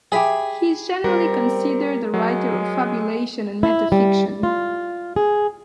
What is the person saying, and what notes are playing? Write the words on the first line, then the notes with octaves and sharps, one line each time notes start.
He is generally considered a writer of fabulation and metafiction.
G4 G#4 E5 G#5 B5
G3 C4 A#4
F#3 G#3
E4
G3
F4
G#4